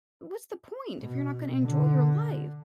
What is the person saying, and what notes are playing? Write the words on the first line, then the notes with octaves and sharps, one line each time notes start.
what's the point if you're not gonna enjoy your life?
B2
D3